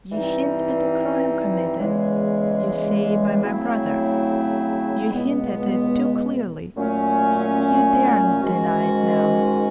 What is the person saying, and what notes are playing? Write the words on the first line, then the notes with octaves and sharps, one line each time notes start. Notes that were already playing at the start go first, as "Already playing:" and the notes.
You hint at a crime committed, you say, by my brother. You hint at it too clearly; you daren't deny it now.
G2 E3 G3 C4 D#4
E2 C#3 E3 G#3
C#3 F#3 A3 C4 E4
C#2 B2 G#3 B3
A#2 F#3 A3 C#4
G#2 D#3 G#3 C#4 F#4